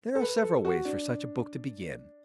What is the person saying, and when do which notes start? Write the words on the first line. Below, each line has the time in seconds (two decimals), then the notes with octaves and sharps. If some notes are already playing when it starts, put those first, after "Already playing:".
There are several ways for such a book to begin.
0.15 A4
0.22 B4
0.43 A4
0.65 F#4
0.85 D4